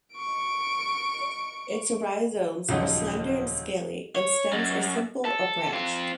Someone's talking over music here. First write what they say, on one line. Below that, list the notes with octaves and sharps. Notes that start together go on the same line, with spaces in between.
Its rhizomes are slender and scaly, and stems are simple or branched.
C#6 D7
D#1 C#2 F3 F#3 D#4
C#5
F#2
A4
C4 F4